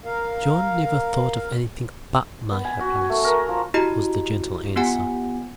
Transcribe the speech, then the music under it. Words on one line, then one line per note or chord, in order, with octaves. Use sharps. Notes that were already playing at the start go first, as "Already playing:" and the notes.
"John never thought of anything but my happiness," was the gentle answer.
A#4 F5
B3
G#5
F#4
G#5
A3
A#4
F3
E4 F#4 G4 D#5 A#5
B3 F4 G4 F#5 G#5